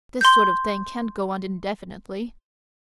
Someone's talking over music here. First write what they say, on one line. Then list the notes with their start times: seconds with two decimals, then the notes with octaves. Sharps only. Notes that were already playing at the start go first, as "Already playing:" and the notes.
This sort of thing can't go on indefinitely.
0.21 C6 G6